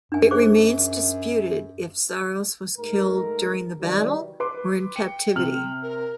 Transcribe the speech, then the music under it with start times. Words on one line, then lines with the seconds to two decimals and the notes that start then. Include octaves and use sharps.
It remains disputed if Psarros was killed during the battle or in captivity.
0.12 F#2 D4 G#5
0.31 G#4 C5 D6
2.78 G#2 A3 A#4
3.81 C3 D#3 E3 F#3 G3
4.40 B4 C6 D6
4.96 G5 C#7
5.35 C3 F6 F#7
5.83 A#4